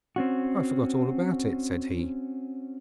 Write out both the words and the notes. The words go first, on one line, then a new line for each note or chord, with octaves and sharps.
'I forgot all about it,' said he.
C4 C#4 F#4